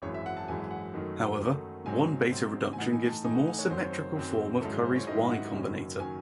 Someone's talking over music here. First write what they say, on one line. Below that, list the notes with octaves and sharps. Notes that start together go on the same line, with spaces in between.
However one beta reduction gives the more symmetrical form of Curry's Y combinator.
G#1 F#2 E3 G#3 C#5
E5
F#5
A5
G#1 F#2 E3 G#3 G#5
F#5
F#2 D#3 F#3 A3 D#4
F#2 D#3 F#3 A3 D#4
G#2 F#3 C4 G#5
G#2 F#3 C4
G#5
A2 E3 A3 D#4 F#5
G#5
A5
A2 E3 A3 D#4 G#5
F#5
G#5
C#5
F#2 D#3 F#3 C4 C5
C#5
C5
F#2 D#3 F#3 C4
G#2 D#3 F#3 C#4 E4 A4
G#4
C5
C#5
G#2 D#3 F#3 C#4 E4 D#5
F#5
F#1 F#2 D#3 F#3 C#4
D#3 F#3 C#4 G#5